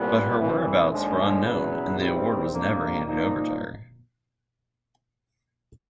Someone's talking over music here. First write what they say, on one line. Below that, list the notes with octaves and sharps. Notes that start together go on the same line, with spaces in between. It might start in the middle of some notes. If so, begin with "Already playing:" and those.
But her whereabouts were unknown and the award was never handed over to her.
Already playing: C2 A#2 G3 B3
C2 C3 E3
D#2 D3 F3 G#3
E2 C#3 F#3 B3
E2 C3 D#3 G3 C4
F2 D3 G3 A#3
A#2 F3 A#3 D#4